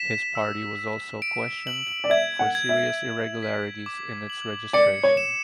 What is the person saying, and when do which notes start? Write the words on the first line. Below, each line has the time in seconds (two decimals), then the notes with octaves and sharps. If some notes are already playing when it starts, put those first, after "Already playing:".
His party was also questioned for serious irregularities in its registration.
Already playing: B6 E7
0.35 E6
0.79 E6
1.22 D7
1.67 F#7
2.04 D5
2.10 E5 G#6
2.39 F#5
2.55 G#6
2.69 E5
2.98 G#6
3.43 B6
3.86 D6
4.30 F#7
4.73 D5 C#7
5.03 C#5
5.17 E7